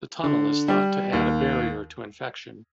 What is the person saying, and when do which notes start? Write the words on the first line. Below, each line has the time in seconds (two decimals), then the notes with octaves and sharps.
The tunnel is thought to add a barrier to infection.
0.24 D3
0.68 G3
1.13 D#2